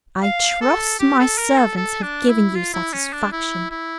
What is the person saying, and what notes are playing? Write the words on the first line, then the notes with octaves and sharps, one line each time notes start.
I trust my servants have given you satisfaction.
F5
A4
G4
A4
A#4
A4
A4
D4
E4
F4
E4
C#4
D4
E4
E4